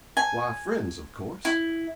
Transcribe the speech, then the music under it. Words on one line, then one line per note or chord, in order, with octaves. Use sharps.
'Why, friends, of course.
G#5
E4